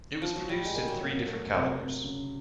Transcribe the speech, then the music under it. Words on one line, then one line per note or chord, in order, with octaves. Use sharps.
It was produced in three different calibers.
F3
F#3
A2 G3
G#3
G3 A#3
F#3
A#3
A3
C3
C3
C#3